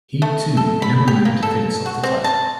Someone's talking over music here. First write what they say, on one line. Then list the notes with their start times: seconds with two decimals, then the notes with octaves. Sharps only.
He too never made a defense of the title.
0.22 A3
0.57 A4
0.82 B5
1.08 G4
1.25 A#3
1.43 A4
1.86 F#4
2.04 C4
2.24 A5